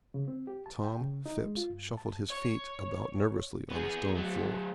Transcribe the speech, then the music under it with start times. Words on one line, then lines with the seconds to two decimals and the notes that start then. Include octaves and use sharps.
Tom Phipps shuffled his feet about nervously on the stone floor.
0.14 C#3
0.28 C4
0.47 G4
0.66 A5
0.84 G5
1.01 C#3
1.26 D#4
1.44 G#3
1.57 F4
1.70 G2
1.97 A5
2.30 C#5
3.71 B3 G#4
4.16 F#3 A3